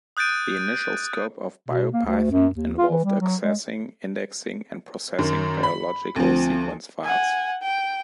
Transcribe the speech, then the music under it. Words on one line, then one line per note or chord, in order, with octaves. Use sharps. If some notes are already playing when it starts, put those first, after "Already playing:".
The initial scope of Biopython involved accessing, indexing and processing biological sequence files.
D#6 F#6 G6 A6 D7 D#7
B2
A#3
D2
F#2
D#2
F4
E3
G3
F#3
G#3
F#2 D#3
B5
D2 F3 C4
F#5 G#5
G5